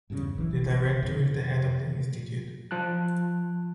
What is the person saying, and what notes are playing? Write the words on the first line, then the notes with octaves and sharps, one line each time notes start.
The Director is the head of the institute.
E2 G2 A#2 C#3
D1 A#1 A#2 E3
F2 A#2 D#3
F3 A5 F#6